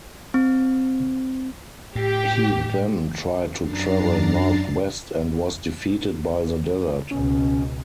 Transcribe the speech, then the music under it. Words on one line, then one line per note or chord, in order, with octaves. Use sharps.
He then tried to travel north west and was defeated by the desert.
C4
A2 G4
F#2 D4 A#5 A6 C7
C#2 B2 C#4